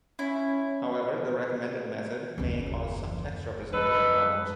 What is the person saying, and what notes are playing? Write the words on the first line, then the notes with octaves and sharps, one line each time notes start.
However, the recommended method may cause some text representation problems.
C#4 E4
F#1 D#2
F#2 D#4 A4 B4